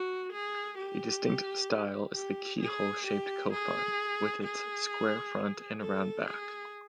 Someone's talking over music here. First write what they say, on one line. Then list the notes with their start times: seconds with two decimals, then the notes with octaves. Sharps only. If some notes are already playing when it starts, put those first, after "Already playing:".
A distinct style is the keyhole-shaped kofun, with its square front and round back.
Already playing: F#4
0.32 G#4
0.77 G4
2.15 G4
2.61 G#4
3.06 G4
3.53 G#4
4.43 G#4
5.81 A4
6.28 G#4